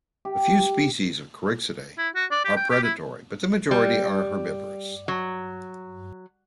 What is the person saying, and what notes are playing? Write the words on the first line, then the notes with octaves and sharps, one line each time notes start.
A few species of Corixidae are predatory, but the majority are herbivorous.
G4
E4
F#4
D5
G4
G5
G4
E4
G3
F#3